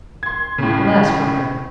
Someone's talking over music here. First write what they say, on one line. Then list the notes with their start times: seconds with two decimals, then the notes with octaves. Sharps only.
Alas for her!
0.23 C6 G#6
0.58 A2 C#3